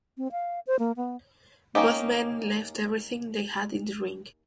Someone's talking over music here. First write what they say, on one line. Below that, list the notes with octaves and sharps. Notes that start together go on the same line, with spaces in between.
Both men left everything they had in the ring.
C4
F5
C5
A#3
B3
A#3 C#4 D#4 G4